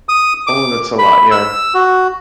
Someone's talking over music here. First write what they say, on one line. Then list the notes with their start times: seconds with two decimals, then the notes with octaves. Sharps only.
Ooh, that's a lot, yeah.
0.09 D#6
0.47 D6
0.99 B5
1.31 E6
1.74 F#4